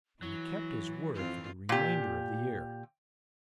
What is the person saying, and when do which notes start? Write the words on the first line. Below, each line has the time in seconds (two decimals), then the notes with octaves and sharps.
And he kept his word for the remainder of the year.
0.22 E3 F#3 E4
1.14 F2 C4 F4
1.69 A#2 G4